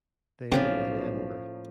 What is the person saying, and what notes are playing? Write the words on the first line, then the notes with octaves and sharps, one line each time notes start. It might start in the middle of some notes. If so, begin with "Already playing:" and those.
They live in Edinburgh.
B1 A2 D3 F3 A#3 C4 C#4 G4